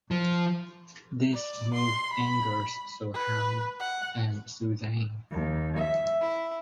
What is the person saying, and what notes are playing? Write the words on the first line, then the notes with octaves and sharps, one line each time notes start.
This move angers Soham and Suzanne.
F3
D5
C6
B5
B4
F#5
D#2
E5
E4